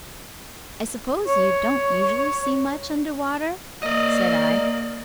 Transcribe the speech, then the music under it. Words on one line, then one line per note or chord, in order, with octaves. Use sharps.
"I suppose you don't usually see much under water?" said I.
C#5
A#3 D5 D#5